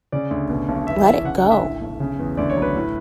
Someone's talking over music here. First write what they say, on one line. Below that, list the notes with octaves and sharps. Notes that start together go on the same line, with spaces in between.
Let it go.
C#3 D5
D2
B2
B1
E2 E5
E3 E5
C#3 F#5
F#5
D2
E5
A2
B1
C#3
E2
D2 D5
C#5
F#3
B4
A2